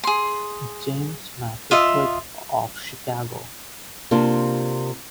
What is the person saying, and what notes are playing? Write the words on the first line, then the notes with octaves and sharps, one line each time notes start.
James McKittrick, of Chicago.
G#4 C6
F4 D#5 E5
C3 A#3 D4 F4